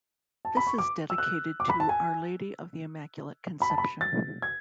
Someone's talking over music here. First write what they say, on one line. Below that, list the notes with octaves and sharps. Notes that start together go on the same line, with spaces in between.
This is dedicated to 'Our Lady of the Immaculate Conception'.
A5
B5
C#6
D6
E6
F#6
D6
B5
A5
G#5
B5
A5
B5
A6
G#6